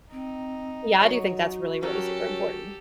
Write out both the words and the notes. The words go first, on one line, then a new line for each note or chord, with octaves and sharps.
yeah, I do think that's really, really super important.
C4 D#4
F#3 F#4 C#5
F#3 C#4 G4 A4 A#4